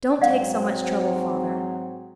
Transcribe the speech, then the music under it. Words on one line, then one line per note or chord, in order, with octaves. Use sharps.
Don't take so much trouble, father.
G#2 F#3 C4 D5 F5 F#5